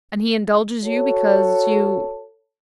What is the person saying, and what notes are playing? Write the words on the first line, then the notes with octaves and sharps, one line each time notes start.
And he indulges you because you . . .
F#4 A4 C#5